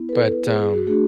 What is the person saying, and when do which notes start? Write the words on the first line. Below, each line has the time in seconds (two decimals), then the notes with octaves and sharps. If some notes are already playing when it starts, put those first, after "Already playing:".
but, um
Already playing: B3 E4
0.09 B4
0.13 A4
0.32 B4
0.46 G#4
0.60 G#4
0.74 F#4
0.87 A3 D4 F#4 G#4